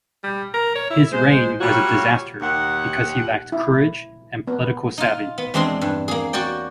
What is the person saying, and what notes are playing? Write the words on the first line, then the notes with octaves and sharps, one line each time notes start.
His reign was a disaster because he lacked courage and political savvy.
G3
A#4
C#5
E4
G#3 C5
F#3 G3 A#3 F4 F#4 C#5
D#2 F#5
E4
B3
D#4 F4
B3
E2 G#3 C4 D4 G#4 C6
G2
A#3 G#4
F#4 C#5 D5 G5